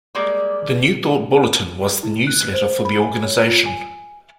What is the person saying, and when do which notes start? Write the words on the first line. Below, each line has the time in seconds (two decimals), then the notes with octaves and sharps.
The "New Thought Bulletin" was the newsletter for the organization.
0.15 G3 G#3 A#3 D5
2.03 E4
2.27 F#6
2.54 C5
2.85 B5
3.00 G#5
3.22 C#5
3.47 F4
3.66 G#5